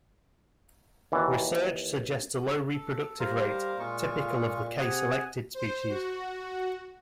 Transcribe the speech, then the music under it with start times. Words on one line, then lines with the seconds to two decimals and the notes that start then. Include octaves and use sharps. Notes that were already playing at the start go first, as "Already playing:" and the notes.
Research suggests a low reproductive rate, typical of the K-selected species.
1.12 D#2 E3 F#4 D5
2.73 A4
3.20 G3 A#4 C5 F5
3.79 A#2 G#3 F4 C#6
4.79 C3 G#4 F#5 G#5
5.54 C5
5.89 F#4